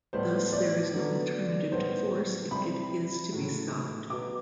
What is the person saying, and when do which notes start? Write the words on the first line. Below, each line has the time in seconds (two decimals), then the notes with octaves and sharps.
Thus, there is no alternative to force if it is to be stopped.
0.13 A2 G3 B3 C5
0.53 D5
0.93 D3 F#3 B3
1.71 A2 G3 B3 C5
2.51 C3 G3 C4 B5
3.31 A2 F#3 A3
4.10 B2 F#3 B3 D6